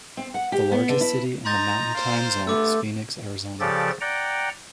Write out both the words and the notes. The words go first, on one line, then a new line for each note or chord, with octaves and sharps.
The largest city in the Mountain Time Zone is Phoenix, Arizona.
C4
F#5
G4
B3
D3
E4
D#4 A#5 C6 G6 A6
A#3 F4 C5
G2 A3 B3 D6 E6
C#3 F3 G4 A4 D5 A6
D5 F#5 G5 A#5